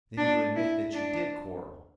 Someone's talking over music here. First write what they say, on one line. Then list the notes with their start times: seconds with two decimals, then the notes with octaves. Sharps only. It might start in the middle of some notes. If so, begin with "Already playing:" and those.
"Then you admit that you did quarrel?"
0.17 D4
0.56 E4
0.94 D4